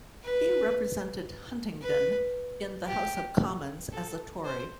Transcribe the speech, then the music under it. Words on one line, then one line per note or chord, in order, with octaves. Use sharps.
He represented Huntingdon in the House of Commons as a Tory.
B4
B4
G4
A4
C5